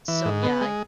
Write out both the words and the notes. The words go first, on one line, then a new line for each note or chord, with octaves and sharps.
So, yeah I
E3
G#2
B3
G#3